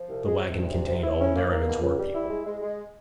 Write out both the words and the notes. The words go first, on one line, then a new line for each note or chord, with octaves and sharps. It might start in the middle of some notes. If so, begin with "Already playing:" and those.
The waggon contained all Derriman's workpeople.
Already playing: F3
C2
G#3
C3
D2
C3
C3
E4
C#4
A#3
A#3
B2
C#2
G3
E4
G#3
G#3
G#3